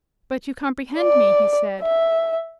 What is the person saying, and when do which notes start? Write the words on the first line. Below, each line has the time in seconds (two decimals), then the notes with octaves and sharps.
"But you comprehend me?" he said.
0.98 D5
1.81 E5